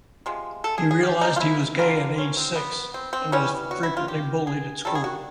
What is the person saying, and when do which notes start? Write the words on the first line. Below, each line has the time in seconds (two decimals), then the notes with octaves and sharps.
He realized he was gay at age six, and was frequently bullied at school.
0.26 C3 F3 G#3
0.64 A4
0.78 G#4
0.91 G#4
1.03 G4
1.21 D#4
1.36 F4
1.40 E4
1.60 E4
1.79 D3 G3 A#3 F4
2.18 C#4
2.37 C4
2.56 B3
2.94 C4
3.13 C4
3.32 E3 G3 B3 C#4
3.71 F#4
3.83 E4
3.97 F4
4.08 G4
4.47 G#4
4.85 D#3 G3 A#3 A4
4.95 G#4
5.04 F#4